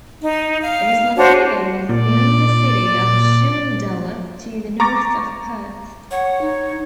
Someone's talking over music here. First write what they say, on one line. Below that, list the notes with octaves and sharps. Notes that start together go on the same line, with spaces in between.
It is located within the City of Joondalup to the north of Perth.
D#4
F5
D4 F#4 C5 C#5
A#2 D5
A#5 C#6 D6 A6 A#6
C#5 F#5
D#4